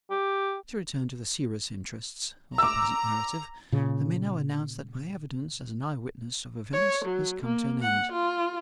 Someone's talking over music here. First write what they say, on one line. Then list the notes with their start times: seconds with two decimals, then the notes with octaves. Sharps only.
To return to the serious interests of the present narrative, I may now announce that my evidence as an eye-witness of events has come to an end.
0.11 G4
2.58 A#5 D6 E6
3.72 A#2 C#3
6.73 C#5
7.06 F#3
7.43 A#3
7.82 F#5
8.13 F4